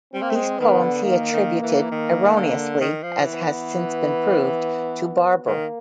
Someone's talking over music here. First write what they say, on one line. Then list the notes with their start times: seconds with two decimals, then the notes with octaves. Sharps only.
These poems he attributed, erroneously, as has since been proved, to Barbour.
0.14 G3 C4
0.22 A#3
0.30 A3
0.36 G#3
0.59 D#3 B3
0.81 D3
1.03 D#3 A#3
1.33 D#3
1.63 E3
1.91 D#3
2.36 D3
2.81 D#3
3.03 F3
3.24 E3 B3
3.48 E3
5.46 D#3 A#3